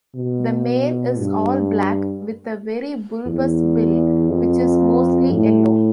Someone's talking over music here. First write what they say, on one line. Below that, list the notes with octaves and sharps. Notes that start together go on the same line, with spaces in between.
The male is all black with a very bulbous bill which is mostly yellow.
B2
G2
E2
F2
A2